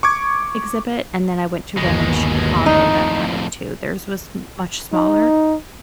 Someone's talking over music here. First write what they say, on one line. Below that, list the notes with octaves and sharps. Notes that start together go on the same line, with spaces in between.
exhibit, and then I went to one in Chicago that had it too. Theirs was m much smaller,
C#6 D6 G#6
G1 D#2 B2 G#3
F2 A2 D#4
D#4